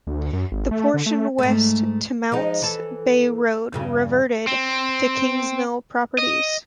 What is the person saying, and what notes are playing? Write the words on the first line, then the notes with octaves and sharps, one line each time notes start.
The portion west to Mounts Bay Road reverted to Kingsmill Properties.
D2
F#2
G#1
A3
D3
A3
G#2 A3
F3 G#3 D#4
E3 A4
E2 G2 C#3
C4
D#5